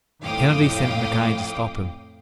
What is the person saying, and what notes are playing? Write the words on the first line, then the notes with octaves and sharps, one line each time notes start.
Kennedy sent Mackay to stop him.
F2 A2 F5 G5 D6 D#6